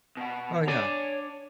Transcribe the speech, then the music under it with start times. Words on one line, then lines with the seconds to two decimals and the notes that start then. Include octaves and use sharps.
Oh, yeah.
0.17 B2 F#5
0.67 D4 C#5 D5 G#5